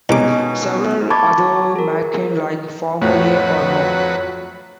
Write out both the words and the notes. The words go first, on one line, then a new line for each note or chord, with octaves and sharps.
Several other Machin-like formulae are known.
C2 B2 D#3 G#3 C#4 D6
A5 B5 C#6 D6 G#6 A6
G#4 A#4
F2 A2 F#3 F#4 B4